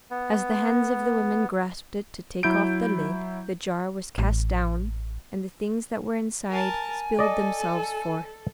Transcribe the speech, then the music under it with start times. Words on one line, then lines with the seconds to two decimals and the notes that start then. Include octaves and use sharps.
As the hands of the women grasped it to take off the lid the jar was cast down, and the things that were inside spilled themselves forth.
0.11 B3
2.43 F#3 E4 G6 D7
4.18 A1
6.51 A#4 G#5 A5
7.19 A4 D5 D#5